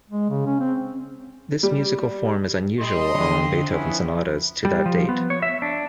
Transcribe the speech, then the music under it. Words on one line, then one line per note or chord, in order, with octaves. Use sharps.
This musical form is unusual among Beethoven sonatas to that date.
G#3
C#3
C#4
C4
G3
G4 D#5 B5 C6
F2 D3
B3 C#4 E4
G3
F3
B3
C#5
E5
D4